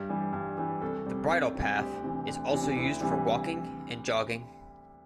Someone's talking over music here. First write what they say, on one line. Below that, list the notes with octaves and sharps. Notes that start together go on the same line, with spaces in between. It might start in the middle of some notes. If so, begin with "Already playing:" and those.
The Bridle Path is also used for walking and jogging.
Already playing: G2 G4
E3 G3
G2
E3 G3
C2 A4
C3 G3
C2
C3 G3
D2 G4
C3 E3
D2
C3 E3
D2 E4
C3 E3 G3